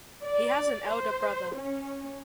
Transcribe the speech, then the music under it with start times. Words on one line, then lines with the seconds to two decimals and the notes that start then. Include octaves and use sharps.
He has an elder brother.
0.24 D5
0.91 C5
1.55 C#4